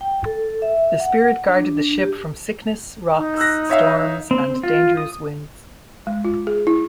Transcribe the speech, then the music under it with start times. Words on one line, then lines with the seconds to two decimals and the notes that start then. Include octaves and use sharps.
The spirit guarded the ship from sickness, rocks, storms, and dangerous winds.
0.01 G5
0.26 A4
0.62 E5
1.00 F#5
1.48 D4
1.98 G4
3.17 D#4
3.37 E6 F#6 A#6
3.70 C#5 E5 F5
4.31 C4
4.63 F4
4.97 D#6
6.07 G#3
6.25 F4
6.47 G#4
6.67 E4